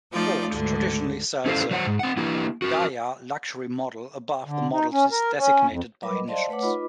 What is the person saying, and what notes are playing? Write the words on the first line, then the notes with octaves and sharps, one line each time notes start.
Ford traditionally sells a "Ghia" luxury model above the models designated by initials.
F3 A3 D#4 F4 D5
D2 G#2 D3
C#4 E4 A4 C5 F5
F#3 C5 F#5
G#2
C4 F#5
A#3 E4 G4
F#4 A#4
D3
D#4
C#4
A#4
C#4
F2
F#3 G3 A#4 B4 B5 D6
D#5
C5 D5 D#5 F5 A5 C6
A3 B4 C#5 F#5 D6
D#4 F4 B4 D#5 B5 D6